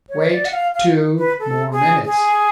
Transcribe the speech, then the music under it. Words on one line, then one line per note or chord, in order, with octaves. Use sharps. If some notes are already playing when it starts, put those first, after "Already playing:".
"Wait two more minutes."
C#5
D5
F#5
F5
F5
B4
A4
G#4
G#4